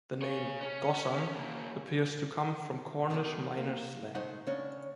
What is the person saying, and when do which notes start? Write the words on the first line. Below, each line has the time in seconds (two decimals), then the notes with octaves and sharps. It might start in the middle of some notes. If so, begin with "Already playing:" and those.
The name "gossan" appears to come from Cornish miner's slang.
0.22 G#4 C#5
0.61 C#4
1.34 C#3 A#3
3.10 E2 G#2 B2 D3 D#3
3.57 A#3
4.15 G#3 A3 D#4 C5 F#5
4.47 C#3 C#4 D4